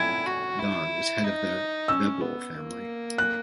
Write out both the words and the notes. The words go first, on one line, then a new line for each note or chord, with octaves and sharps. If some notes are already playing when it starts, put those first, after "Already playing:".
Don is head of the Vebole family.
Already playing: E4 G#6
F#4
E4
D#4
C#4 E6
B3
A#3
F#6